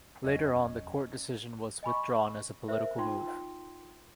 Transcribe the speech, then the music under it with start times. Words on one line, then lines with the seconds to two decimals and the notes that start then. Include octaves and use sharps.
Later on the court decision was withdrawn as a political move.
0.24 E1 F#2 C#4 D#5
1.83 D#5 G#5 B5 C#6
2.68 A#4 C5 E5
2.98 D#4 F4 G5 C6